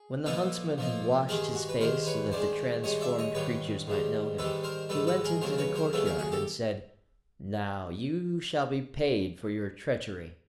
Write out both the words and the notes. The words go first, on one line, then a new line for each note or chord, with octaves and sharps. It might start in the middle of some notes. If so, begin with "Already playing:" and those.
When the Huntsman had washed his face so that the transformed creatures might know him, he went into the courtyard, and said: 'Now, you shall be paid for your treachery.'
Already playing: G#4
A#2 F3 A#3 D#4 A4 B4
A#2 F3 A#3 D#4
G2 D#3 G#3 G#4 A#4
F#4
B4
G2 D#3 G#3 A#4 C5
B4 C#5
G2 D#3 G#3 C5 D5
G2 D#3 G#3 C#5 D#5
D5 E5
C#5 D#5
G#2 D#3 G3 B4 C#5
G#2 D#3 G3
G#2 D#3 G3 A4 B4
A#4 C5
G#2 D#3 G3 A4 B4
A4 B4
G#4 A#4
D#2 C#3 F#3 A3 A#4 C5
B4 C#5
A#4 C5
D#2 C#3 F#3 A3 A4 B4
G#4 A#4
F#4 G#4
G4 A4